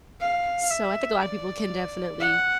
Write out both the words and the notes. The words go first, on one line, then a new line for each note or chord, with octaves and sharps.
So I think a lotta people can definitely
F5
E5
D5
F#5